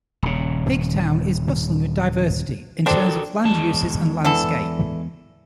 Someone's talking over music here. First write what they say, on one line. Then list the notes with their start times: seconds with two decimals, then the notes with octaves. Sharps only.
Pigtown is bustling with diversity, in terms of land uses and landscape.
0.23 D#1 C#3
2.86 C4 D4 F#4 A4 A#4
3.45 E2 G#3 A5
4.25 D3 E3 A4